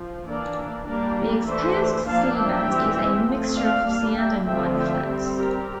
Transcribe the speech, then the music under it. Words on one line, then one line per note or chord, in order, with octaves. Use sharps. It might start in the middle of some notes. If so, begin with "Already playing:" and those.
The exposed seabed is a mixture of sand and mud flats.
Already playing: F3
E3 A#3 D4 A#4 D5
G3 A#3 D4 A#4 D5
E3 A3 D4 C5 E5
F3 A#3 D4 F5 A5
E5 G5
E3 G3 C4
F3 A3 C4
D5 F5
G3 A#3 D4
E5 G5
D3 F3 A3 C4 E5 G5
E5 G5
G3 C4
G4 A#4